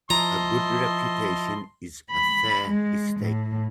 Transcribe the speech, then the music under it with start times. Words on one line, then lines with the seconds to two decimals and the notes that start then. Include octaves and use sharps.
A good reputation is a fair estate.
0.10 F3 E4 D#5 A5 A#5 C6
2.12 B5
2.69 G#3
3.20 A2